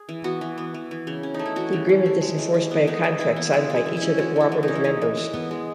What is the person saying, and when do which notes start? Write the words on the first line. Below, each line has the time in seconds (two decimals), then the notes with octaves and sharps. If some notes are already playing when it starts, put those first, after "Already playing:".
The agreement is enforced by a contract signed by each of the cooperative members.
Already playing: G#4
0.09 E3
0.24 B3 F#4
0.41 E3
0.58 B3
0.74 E3
0.91 E3
1.07 C#3
1.23 C#4
1.34 A3 D#4
1.46 E4
1.56 E3 F#4
1.73 C#3
1.89 C#4
2.06 A3
2.21 G#3
2.39 E3
2.54 E3
2.71 B3
2.87 G#3 D#4
3.04 E3
3.20 E3 E4
3.36 B3
3.53 G#3 E4
3.70 E3
3.76 E4
3.86 E3
3.97 E4
4.02 C#4
4.18 G#3 F#4
4.36 E3 E4
4.52 E3
4.63 D#4
4.68 C#4
4.75 E4
4.84 G#3 D#4
5.02 E3
5.17 E3
5.33 B3
5.51 G#3